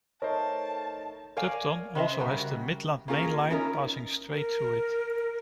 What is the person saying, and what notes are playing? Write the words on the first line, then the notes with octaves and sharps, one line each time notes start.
Tupton also has the Midland Main Line passing straight through it.
A3 D#4 A#4 C5 C#5 A5
A#4 C#5 D5 F5 G#5
C#3 F#4 C5 D#5 E5
C#3 G3 F#4 A#4
A#3 C#4 F4 G#4 A#4
B3 C#4 D#4 E4 A4 A#4
A#4